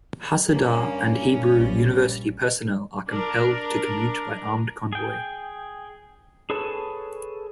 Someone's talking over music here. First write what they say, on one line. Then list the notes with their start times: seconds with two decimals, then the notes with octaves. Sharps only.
Hadassah and Hebrew University personnel are compelled to commute by armed convoy.
0.52 G2 A#3 C#4
1.55 A#1 G3
3.09 D4 A#4
4.93 G#4 G5
6.50 G#4 A4 B4 C#5 A5